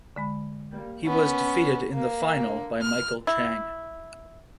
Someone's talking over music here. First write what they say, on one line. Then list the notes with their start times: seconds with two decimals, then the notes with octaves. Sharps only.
He was defeated in the final by Michael Chang.
0.16 D3 G#3 B5
1.05 B3 C#4
1.94 A#3
2.82 F6
3.27 E4